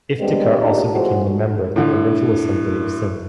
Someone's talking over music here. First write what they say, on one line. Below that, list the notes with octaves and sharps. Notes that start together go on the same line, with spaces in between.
Iftikhar also became member of the Provincial Assembly of Sindh.
G3 G#3 B3 C4 D4
C#2 A#2 A#3 D4 D#4 G4
F#2 A2 F3 F#4 G#4 C5
A2 D3